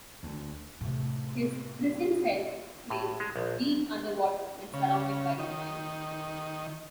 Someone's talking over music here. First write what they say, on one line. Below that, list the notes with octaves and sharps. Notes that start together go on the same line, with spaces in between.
His prison cell is placed deep underwater and surrounded by mines.
D2
A2 C3
A2
G#3
A#1
C#3
D#3